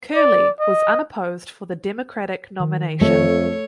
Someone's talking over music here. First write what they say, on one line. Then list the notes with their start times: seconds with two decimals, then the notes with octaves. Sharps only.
Curley was unopposed for the Democratic nomination.
0.15 D5
0.60 D#5
2.60 D#3
3.01 F2 A3 C#5